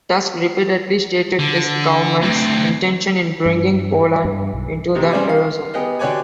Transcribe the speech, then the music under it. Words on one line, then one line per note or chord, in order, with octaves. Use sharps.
Tusk repeatedly stated his government's intention in bringing Poland into the Eurozone.
D3
D2 C4
G2
G2
B1
C3 D#3 A#3
G3 C#4 G#4 C5 D5 G#5
F5
B3 G4 G#4 D#5
D3 F#4 G4 C#5 D5 G#5